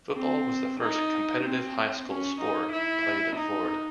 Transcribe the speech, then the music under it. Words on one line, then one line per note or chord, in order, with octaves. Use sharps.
Football was the first competitive high school sport played in Florida.
C4
D#4
C4
C#4
D#4
E4
D#4